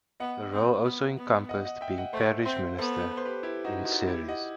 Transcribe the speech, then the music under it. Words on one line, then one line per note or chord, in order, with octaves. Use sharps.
The role also encompassed being parish minister of Ceres.
B3 D#5 F#5
C4
B3
B3
D#5 F#5
D#5 F#5
E5 G5
D#5 F#5
A3 C5 E5
C4 C5 E5
B3 A4 C5
B4
C5
G4 B4
E4 G4
D#4 F#4
D#4 F#4
E4 G4
D#5 F#5